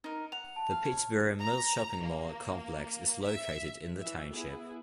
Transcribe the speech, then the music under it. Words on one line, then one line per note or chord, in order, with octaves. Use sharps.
The Pittsburgh Mills shopping mall complex is located in the township.
D#4 A#4
F#5 F7
A5
F5
C#5
A#5
A#3
E5
E3 E5
B3 E4 G#4